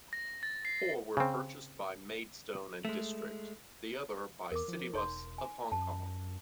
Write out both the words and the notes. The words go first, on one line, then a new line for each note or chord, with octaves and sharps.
Four were purchased by Maidstone and District, the other by Citybus of Hong Kong.
A#6
A6
C7
C#3 C4
G#3 A3
E2 A#4 D6
F3
E1 D#4 C#5 C6
G#5
F#2 A5